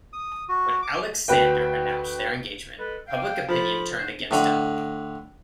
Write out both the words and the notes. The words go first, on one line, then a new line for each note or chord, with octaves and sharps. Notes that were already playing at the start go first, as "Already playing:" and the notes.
When Aleksandar announced their engagement, public opinion turned against him.
D#6
F#4
D6
D2 F#4 B4 F#5 G5
G#3 A4 B4
F5 G5
F3 F4 A4 B5
D3 D4 C5
A2 D3